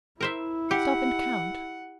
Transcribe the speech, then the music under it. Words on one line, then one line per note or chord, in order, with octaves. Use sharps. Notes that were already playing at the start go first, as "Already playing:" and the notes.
Stop and count.
E4 A#4 C5 E5
G4 F#5